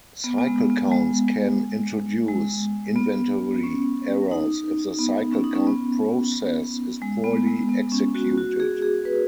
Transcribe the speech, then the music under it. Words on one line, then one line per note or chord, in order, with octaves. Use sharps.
Cycle counts can introduce inventory errors if the cycle count process is poorly executed.
B3
B3
G#3
B3
G#3
G#3
B3
C#4
D#4
B3
C#4
D#4
C#4
B3
G#3
B3
G#3
B3
C#4
F#4
F#4
G#4
G#4
B4